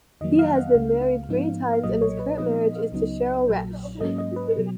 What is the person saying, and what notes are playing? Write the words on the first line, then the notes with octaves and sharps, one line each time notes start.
He has been married three times and his current marriage is to Cheryl Resh.
F2 D#3 F#3 A#3 D#5
F5
F#5
C#2 C#3 G#3 F5
G#2 F3 B3 D#4
F5
B1 A#2 F#3 A#3 D#5
C#5
B4
A#2 F3 B3 D#4 D#5
C#2 C#3 F#3 B3 D#4
A#1 A#2 F#3
G#2 F#3 A#3 C#4 D#5
D#5
B4
B2 F#3